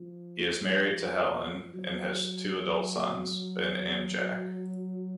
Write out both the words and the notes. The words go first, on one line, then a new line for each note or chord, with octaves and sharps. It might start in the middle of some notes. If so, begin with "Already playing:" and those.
He is married to Helen and has two adult sons, Ben and Jack.
Already playing: F3
F#3